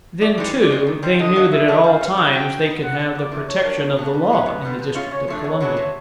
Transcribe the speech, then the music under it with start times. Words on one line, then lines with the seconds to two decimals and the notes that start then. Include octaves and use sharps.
Then, too, they knew that at all times they could have the protection of the law in the District of Columbia.
0.21 A2 D5
0.38 E3 G#3 C4 D#4
0.53 E3
0.70 G#3 C4
0.87 D#3
1.03 G3 C4 D#4
1.19 D3 D#5
1.35 F#3 A#3 C#4
1.52 A2 E5
1.68 F#3 A3 D4
1.84 G3 F5
2.01 A#3 C#4
2.17 C#3 G5
2.33 F#3 B3 D4 F#4
2.50 B2
2.66 G3 B3 D#4
2.82 A#2 F#5
2.99 G3 B3
3.15 F2 D5
3.31 C3 E3
3.47 A3 C#5
3.65 D4 G4 A#4
3.81 B2
3.96 F#3 A3 D4
4.13 A2 B4
4.30 E3 G#3 C#4
4.46 F#2
4.62 D3 G3 B3
4.79 F3
4.95 G#3 C#4 F4
5.11 C#3 C#5
5.28 F3 A3 D4
5.44 E2 C#5
5.61 C#3 F#3 B3 D4
5.77 C3